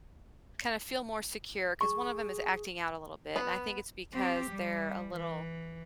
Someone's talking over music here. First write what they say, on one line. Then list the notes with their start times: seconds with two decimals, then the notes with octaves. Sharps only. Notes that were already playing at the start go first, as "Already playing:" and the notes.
kinda feel more secure, 'cause one of 'em is acting out a little bit, and I think it's because they're a little
1.81 G#4 C#6
3.36 B3
4.13 C4 G4
4.51 G3
5.16 E3